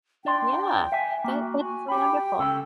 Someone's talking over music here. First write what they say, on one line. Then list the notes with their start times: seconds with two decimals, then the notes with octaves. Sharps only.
Yeah, that that's so wonderful.
0.25 D4 D5 G5 C6
0.92 E5 G#5
1.24 A#3 F#4
1.61 F#4 G#5
1.88 G4 G5 B5
2.39 C#2 C#4 A4